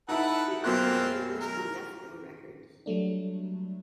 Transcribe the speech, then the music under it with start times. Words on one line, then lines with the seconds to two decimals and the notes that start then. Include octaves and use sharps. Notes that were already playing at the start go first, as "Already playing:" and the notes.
The album was released on Death Row Records.
0.09 D#4 E4 A4 B4 F#5
0.64 F#2 B2 A#3 C4 F4 F#6
1.41 A#4
2.86 F#3 G3 A3 D4